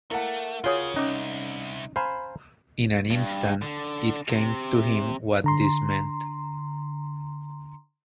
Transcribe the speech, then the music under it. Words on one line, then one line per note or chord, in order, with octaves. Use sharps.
In an instant it came to him what this meant.
A3 A#3 E4 F#5 A5
C#3 F4 F#4 G#4 C#5 D#6
C2 C#4 D#4 D6
C5 F5 G#5 A#5 B5
G2
D3
C3
D3 A#5 C6